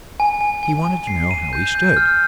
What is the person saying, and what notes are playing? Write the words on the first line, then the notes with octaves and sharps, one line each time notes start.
He wanted to know how he stood.
G#5
G#5
G#5
G#5
C7
D#7
G6
G6
F6